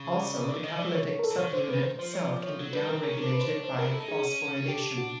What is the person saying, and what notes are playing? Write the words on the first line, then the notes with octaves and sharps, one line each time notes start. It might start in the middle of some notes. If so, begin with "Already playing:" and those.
Also, the catalytic subunit itself can be down-regulated by phosphorylation.
Already playing: C#3
D5
D5
D3 D5
D#3 D#5
E3 D5
C#5
C#5
A#4
A4
E3
D#3 C#5
D3 C5
D#3 B4
C5
F3 C5
C#5
D5
C#5
F#3
G3 B4
C4 A#4
C#4 A#4
D4 A#4
B4
C5
C#5
C5
D4 A#4
E4
A4
D#4
C#4 G#4
D4 G4
F#4